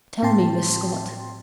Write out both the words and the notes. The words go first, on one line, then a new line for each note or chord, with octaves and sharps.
"Tell me, Miss Scott."
A2 C4 G5 A5 C6